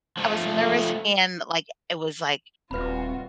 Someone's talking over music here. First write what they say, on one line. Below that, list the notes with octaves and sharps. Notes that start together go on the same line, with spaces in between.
I was nervous and, like, it was, like,
F3 A3
D#1 G3 C4 F4 F#4 B4 B5